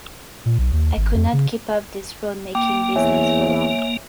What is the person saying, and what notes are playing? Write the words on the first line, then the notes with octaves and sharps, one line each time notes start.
I could not keep up this roadmaking business for long.
A#2
B1
D#2
G#1
F2
C#3
A#3 G5 D6
E2 C#5 E5 G#5